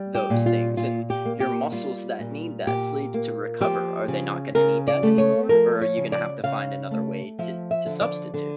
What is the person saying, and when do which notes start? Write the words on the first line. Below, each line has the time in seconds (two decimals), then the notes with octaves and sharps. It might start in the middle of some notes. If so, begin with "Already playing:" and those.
those things, and your muscles that need that sleep to recover, are they not gonna need that anymore, or are you gonna have to find another way to to substitute?
Already playing: G3
0.15 G4
0.30 A#2
0.46 F4
0.77 A#2 F4
1.10 G4
1.25 A#3
1.40 G4
1.72 G3 F4
2.19 A#2
2.67 A#2 G4
3.14 A#3
3.60 F3 G4
4.08 C#3
4.55 C#3 A#4
4.88 D5
5.03 A3
5.18 C#5
5.49 F3 A#4
5.81 C#5
5.97 C#3
6.12 D5
6.44 C#3 F5
6.91 A3
7.39 F3 E5
7.71 E5
7.86 D3
8.01 D5
8.34 D3